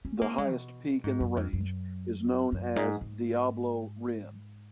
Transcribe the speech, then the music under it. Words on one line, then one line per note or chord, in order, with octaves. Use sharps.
The highest peak in the range is known as Diablo Rim.
C#4
A#3
G#3
B2
G#2
F#2
F2
F#2
F#2
G#2
G#2